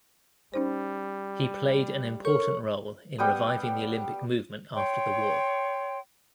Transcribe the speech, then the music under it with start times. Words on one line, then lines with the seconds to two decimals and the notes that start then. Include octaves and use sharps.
He played an important role in reviving the Olympic Movement after the war.
0.54 G3 C#4 D#4 C5
2.25 A4 A#4 C#5 C#6
3.18 G3 B3 G5 D#6
4.75 C#5 G5 C6